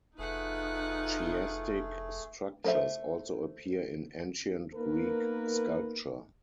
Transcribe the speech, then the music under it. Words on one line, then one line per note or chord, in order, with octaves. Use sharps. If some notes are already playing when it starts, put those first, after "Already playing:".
Chiastic structures also appear in Ancient Greek sculpture.
F1 A3 D#4 F4 G#4 B4 F#5
A3 C5 E5
A#3 B3 D#4 A#4 B4